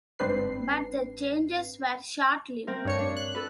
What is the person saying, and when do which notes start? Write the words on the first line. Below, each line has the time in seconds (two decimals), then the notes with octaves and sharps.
But the changes were short-lived.
0.19 G1 G#2 C4 D4 B4 C7
2.67 C4 A#4
2.85 G2 C#5 C#7
2.99 D4
3.17 F#6
3.35 A4 B4